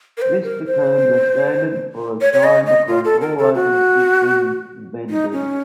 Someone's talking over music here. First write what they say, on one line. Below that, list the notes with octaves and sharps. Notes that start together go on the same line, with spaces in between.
This became the standard for a time across all open systems vendors.
A#4
C5
A#4
C5
C#5
C#5
D#5
D#5
F4
A4
A#4
A4
F#4
D#4
C#4